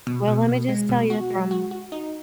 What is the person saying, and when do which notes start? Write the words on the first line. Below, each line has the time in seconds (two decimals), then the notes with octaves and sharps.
Well, let me just tell you from
0.07 B2
0.27 B2
0.48 B2
0.69 G#3
0.89 B2
1.10 F#4
1.30 G#3
1.51 F#4
1.71 F#4
1.92 D#4